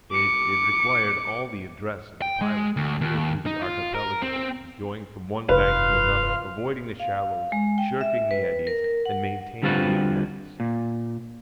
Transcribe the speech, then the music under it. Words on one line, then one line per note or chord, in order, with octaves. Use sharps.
It required all the address of the pilot to steer through the archipelago, going from one bank to another, avoiding the shallows, shirking the eddies, and maintaining the advance.
D6 C#7
G5
G#3
D2
D#2
D#4
F4
A#4
C4
F1 G2 F4 B4 F5
F5
G#3
G5
E5
B4
A#4
A#4
F#5
D3 G3 C4 F4 F#4 B4
A#2